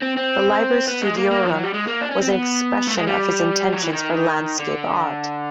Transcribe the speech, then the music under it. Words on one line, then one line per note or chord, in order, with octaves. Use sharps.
The "Liber Studiorum" was an expression of his intentions for landscape art.
C4
C4
B3
G#3
A#3
A#3
F3
F#3
G3
G#3
A#3
D4
C#4
C4
B3
A3
G#3
G3
F#3
E3
D#3
D3